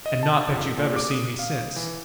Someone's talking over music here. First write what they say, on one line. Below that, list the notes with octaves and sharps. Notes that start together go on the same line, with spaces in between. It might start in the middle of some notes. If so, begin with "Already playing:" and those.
"And not that you've ever seen me since?"
D#5
A5
F2
A#2
D6
D#6
F5
E3